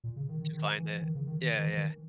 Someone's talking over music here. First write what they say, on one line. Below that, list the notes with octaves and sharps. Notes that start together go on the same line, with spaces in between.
To find it. Yeah, yeah.
A#2
C#3
D#3
D#3
D#3
E3
E3
D#3
C#3
D#3
D#3
D#3
E3
D#3